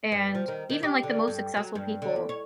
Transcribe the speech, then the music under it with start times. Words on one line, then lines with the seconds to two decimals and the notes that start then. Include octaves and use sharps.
and even like the most successful people,
0.12 G2
0.35 F3
0.48 D#3
0.70 D#3
0.83 G4
1.03 D3
1.28 G2
1.57 F#3
1.75 G2
2.02 D3
2.16 E2
2.29 C#5